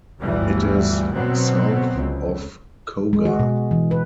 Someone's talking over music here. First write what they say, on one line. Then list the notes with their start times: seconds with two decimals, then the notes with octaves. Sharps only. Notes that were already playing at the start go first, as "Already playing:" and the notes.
It is south of Cogar.
0.22 G1 D2 G2 E3 G3
1.14 B2 D3 F#3 B3 C4
1.97 C#2
3.13 G#3
3.25 F#4
3.39 B2
3.71 E3
3.91 B4